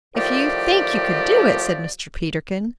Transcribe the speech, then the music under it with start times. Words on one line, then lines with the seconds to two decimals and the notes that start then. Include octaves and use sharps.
"If you think you could do it," said Mr. Peterkin.
0.15 A2 D#3 F3 G4 D5